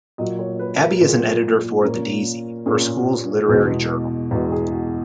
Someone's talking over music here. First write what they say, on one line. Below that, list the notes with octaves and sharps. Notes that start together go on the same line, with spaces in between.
Abby is an editor for "The Daisy", her school's literary journal.
A#2 F#3 A#3 D#5
C#5
B4
A#4
A#2 F#3 A#3 A#4
G#4
A#4
A#2 A#3 C#4
A#2 A#3 C#4 G#4
E2 B2 G#3
E2 B2 G#3 F#4
G#4
F#4